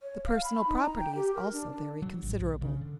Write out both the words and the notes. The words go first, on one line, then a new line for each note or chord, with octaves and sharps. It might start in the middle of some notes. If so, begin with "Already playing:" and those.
The personal property is also very considerable.
C#5
F5
B5
D#4
A#5
G5
G4
A#4
D4
D4
F#3
G#1
B1
C#3
D3